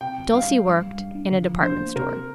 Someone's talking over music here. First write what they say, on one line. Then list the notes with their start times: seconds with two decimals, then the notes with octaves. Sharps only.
Dulcie worked in a department store.
0.01 C3 G5
0.18 G1
0.34 G2 F5
0.50 G3
0.66 G2
0.82 G3
0.98 G2
1.15 D4
1.31 D3
1.48 F3
1.63 D4 C5
1.80 A#3
1.96 C3 A#4